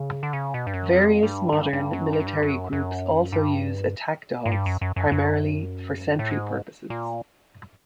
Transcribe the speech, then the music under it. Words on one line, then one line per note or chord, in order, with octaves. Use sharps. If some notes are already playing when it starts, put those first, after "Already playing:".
Various modern military groups also use attack dogs, primarily for sentry purposes.
Already playing: C#3
D3
C#3
B2
G2
F#2
F2
G2
G2
G2
F#2
G2
F#2
G2
F#2
F#2
G2
G#2
G2
F#2
F#2
F#2
F#2
A2
G#2
A#2